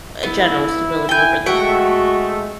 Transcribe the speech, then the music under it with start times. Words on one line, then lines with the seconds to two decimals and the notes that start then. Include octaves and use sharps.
a general stability over the farm.
0.23 B3 E4
1.09 E4 G5 G#5 G6
1.46 G#3 A3 F#4 E5 F#5 G5